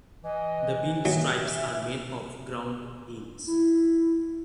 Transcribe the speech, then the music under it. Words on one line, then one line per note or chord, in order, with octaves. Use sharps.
The bean stripes are made of ground beans.
E3 D#5
D#2 F#3 E5
E4